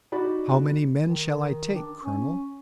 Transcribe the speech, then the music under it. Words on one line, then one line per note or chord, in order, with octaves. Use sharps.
"How many men shall I take, colonel?"
D#4 F#4 D5 B5
D#3
D4
C#4